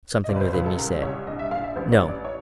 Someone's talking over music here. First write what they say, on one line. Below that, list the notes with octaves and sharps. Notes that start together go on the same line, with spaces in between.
Something within me said, "No!"
D#5
C#2 D5
B4
C5
C#2 B4
A4
C2 A#4
C2 C#5
A#1 D#5
E5
A#1 F5
E5
A1 C5
C#5
A1
D5
C#5